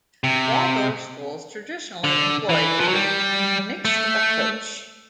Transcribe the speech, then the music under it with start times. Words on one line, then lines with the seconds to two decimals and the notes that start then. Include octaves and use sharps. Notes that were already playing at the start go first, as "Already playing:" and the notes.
Waldorf schools traditionally employ a mixed approach.
0.24 C3
2.04 D3
2.49 E3
2.80 F3
2.88 F#3
2.94 G3
3.85 A3